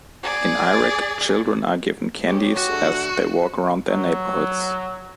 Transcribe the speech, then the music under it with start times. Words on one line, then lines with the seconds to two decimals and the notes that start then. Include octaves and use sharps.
In Iraq, children are given candies as they walk around their neighborhoods.
0.23 G#4 D5
2.27 G4 G#4 C#5
2.57 F#4
2.70 D3 A3
3.89 F#3